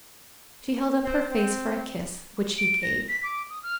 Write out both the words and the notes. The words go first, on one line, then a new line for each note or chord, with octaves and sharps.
She held up her face for a kiss, which he gave.
C4
C4
D7
A#6
B6
D6
D#6
F6